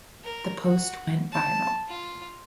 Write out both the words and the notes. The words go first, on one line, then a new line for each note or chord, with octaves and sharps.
The post went viral.
A#4
F#4
A5
F4